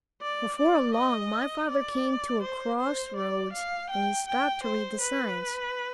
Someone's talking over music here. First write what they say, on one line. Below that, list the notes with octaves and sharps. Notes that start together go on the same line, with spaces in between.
Before long my father came to a crossroads and he stopped to read the signs.
D5
D5
D#5
D5
C5
C5
D5
F5
G5
G5
C5
B4